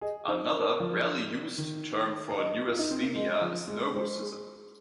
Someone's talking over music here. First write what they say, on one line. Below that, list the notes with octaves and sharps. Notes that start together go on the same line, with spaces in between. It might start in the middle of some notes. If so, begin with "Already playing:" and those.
Another, rarely used, term for neurasthenia is nervosism.
G#4 D#5
D#4 C5
A#4
F3
D#3
D#5
F4
D#4
C4
A#3
G#3 D#5
F3
G#3
G#3 C5
G#4